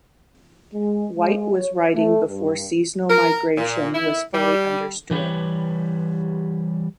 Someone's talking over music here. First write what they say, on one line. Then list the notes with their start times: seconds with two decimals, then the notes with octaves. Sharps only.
White was writing before seasonal migration was fully understood.
0.73 G#3
1.17 G#3
1.54 C#5
1.94 A3
2.28 G2
3.10 A#4
3.57 A#2
3.95 E4
4.34 G3
5.11 E3 F#3 G3 G4 B4 C#5